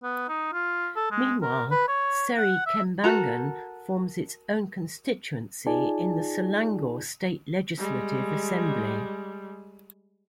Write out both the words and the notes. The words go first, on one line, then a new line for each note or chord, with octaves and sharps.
Meanwhile, Seri Kembangan forms its own constituency in the Selangor State Legislative Assembly.
B3
D#4
F4
A4
G#3
A#4
B4
C#5
F#5
E5
F#4 A4 A#4 A#5
D#4 F4 G#4 D5 G#5 A5
G3 G#3